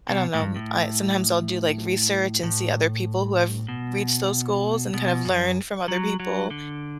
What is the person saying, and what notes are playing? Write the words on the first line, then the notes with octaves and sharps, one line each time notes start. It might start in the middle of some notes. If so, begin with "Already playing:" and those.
I don't know, I sometimes I'll do like research and see other people who have reached those goals and kind of learned from other people.
B2
A2
G2
A2
A2
B2
B2
F#2
F#3
F#3
D3